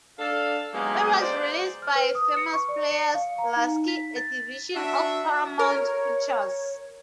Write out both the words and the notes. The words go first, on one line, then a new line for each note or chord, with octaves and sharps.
It was released by Famous Players-Lasky, a division of Paramount Pictures.
D4 A4 F5
F#3 G#3 A#3 B3 D#4 G4
C5 D5
F6
B4
D#6
C#7
C#6
D5
C#7
F5
A#5
D#4
B6
A6
D4 F#4 E5
A#4 C#5